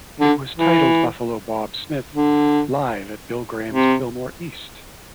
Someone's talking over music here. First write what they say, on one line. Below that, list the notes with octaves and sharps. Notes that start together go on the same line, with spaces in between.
It was titled, "Buffalo Bob Smith Live at Bill Graham's Fillmore East".
D3
E3
D3
C3